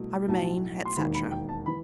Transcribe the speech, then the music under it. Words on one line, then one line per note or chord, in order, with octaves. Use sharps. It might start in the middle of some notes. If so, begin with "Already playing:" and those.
I remain, etc.
Already playing: C2 B2 A3
B1 A2 F#3 A3 A5
C6
E1 D#2 D#3 B5
B5
G5
A5
E3 B5